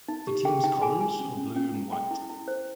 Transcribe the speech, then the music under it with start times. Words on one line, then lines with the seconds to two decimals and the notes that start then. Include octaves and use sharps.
The team's colours are blue and white.
0.08 D#4
0.27 G4
0.45 G#4 G5
0.63 D#4 G5
0.82 G#4 G#5
1.00 G#4 G#5
1.19 C#4
1.37 C#4
1.56 C#4
1.74 E4
1.92 G#4 G5
2.11 E4
2.30 E4
2.48 C5